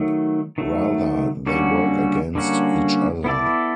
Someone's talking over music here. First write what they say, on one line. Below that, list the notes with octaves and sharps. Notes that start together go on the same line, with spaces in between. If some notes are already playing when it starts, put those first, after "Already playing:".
Rather, they work against each other.
Already playing: D#3 F#3 A3
D#3 F#3 A3
D3 G3 A#3 C#4 F#4
D3 G3 A#3 C#4 F#4
B3 E4 A4 D5